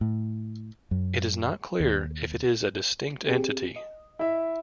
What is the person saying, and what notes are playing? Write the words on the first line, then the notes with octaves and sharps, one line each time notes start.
It is not clear if it is a distinct entity.
A2
F#2
D#2
C4 G4 G#4
D#5
E4 E5